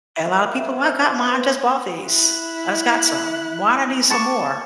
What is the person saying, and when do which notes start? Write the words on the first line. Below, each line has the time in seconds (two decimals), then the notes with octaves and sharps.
A lot of people, "Well, I got mine, I just bought these, I just got some, why do I need some more?"
0.24 A#2 E4 F#5 D6
0.54 C3
0.77 C#4 D#5 E5
0.98 F4 A#4
1.18 B3 C5 F5 D6
2.05 E4 F#6
4.10 A5 C#6 D6